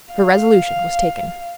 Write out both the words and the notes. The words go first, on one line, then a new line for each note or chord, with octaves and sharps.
Her resolution was taken.
F5